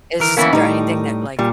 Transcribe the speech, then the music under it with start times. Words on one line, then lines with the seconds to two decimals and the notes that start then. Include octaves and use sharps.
is there anything that like
0.20 E3 A#4
0.37 E3 A#3 B3 C#4 E4
0.53 A2 G3 D#4
1.39 A#2 G3